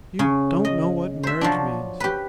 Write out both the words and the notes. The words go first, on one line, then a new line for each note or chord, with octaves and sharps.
"You don't know what marriage means!"
C#3
D#5
C5 E5
F3 F#3 D4
G4 B4